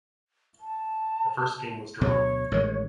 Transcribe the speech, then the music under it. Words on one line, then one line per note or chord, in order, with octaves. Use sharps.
The first game was drawn.
A5
D2 B2 F#3 C#5
A1 D#3 G#3